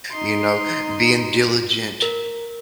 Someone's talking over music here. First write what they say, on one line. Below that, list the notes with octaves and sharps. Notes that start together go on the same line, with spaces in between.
you know, being diligent.
D#4 C6
A#4